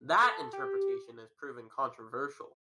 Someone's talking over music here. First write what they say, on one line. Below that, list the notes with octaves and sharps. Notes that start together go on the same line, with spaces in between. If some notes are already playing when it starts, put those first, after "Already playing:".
That interpretation has proven controversial.
A4
G4